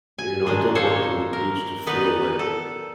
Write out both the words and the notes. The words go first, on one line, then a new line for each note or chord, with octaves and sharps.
you know, I don't want them each to feel like
G#5
D#3 G#3 D4
G#3 A#3 A4 C5 C#5
A#4
D#3 B3 D#4 B4 D5
A4